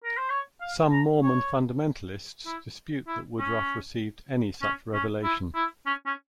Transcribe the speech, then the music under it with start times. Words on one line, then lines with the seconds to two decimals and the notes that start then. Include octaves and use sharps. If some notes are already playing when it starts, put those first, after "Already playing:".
Some Mormon fundamentalists dispute that Woodruff received any such revelation.
0.04 A#4
0.17 C5
0.30 C#5
0.61 F5
0.92 A#5
1.23 C#5
2.46 E4
3.07 E4
3.39 C#4
4.62 C#4
4.93 C#4
5.23 E4
5.54 E4
5.86 C#4
6.06 C#4